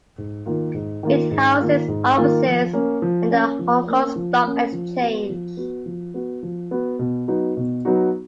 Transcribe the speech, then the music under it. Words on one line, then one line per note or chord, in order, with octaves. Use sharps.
It houses offices and the Hong Kong Stock Exchange.
G#2
D#3 A#3 F4
G#2
D#3 A#3 F4
G#2
D#3 A#3 F4
G#2
D#3 A#3 F4
F3
A#3 C#4
F3
A#3 C#4
F3
A#3 C#4
F3
A#3 C#4
F3
B3 F#4
F3
B3 F#4
F3
B3 F#4
F3
B3 F#4
B2
F#3 B3 D#4 F#4
B2
F#3 B3 D#4 F#4